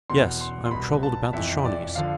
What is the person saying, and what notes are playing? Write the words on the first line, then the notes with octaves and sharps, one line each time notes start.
Yes, I am troubled about the Shawnees.
E2 B2 C6
C6
C6
C2 B2 B5
A5
F2 E3 E5
D5
D3 F3 F5